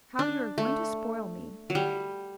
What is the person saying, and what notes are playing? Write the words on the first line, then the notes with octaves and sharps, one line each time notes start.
How you are going to spoil me!
D4
A3
F#3
G3